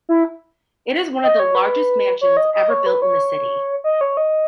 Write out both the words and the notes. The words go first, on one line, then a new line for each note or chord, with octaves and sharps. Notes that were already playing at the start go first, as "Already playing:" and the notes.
It is one of the largest mansions ever built in the city.
E4
D#5
C#5
B4
C#5
D#5
D#5
C#5
B4
C#5
D#5
C#5
D#5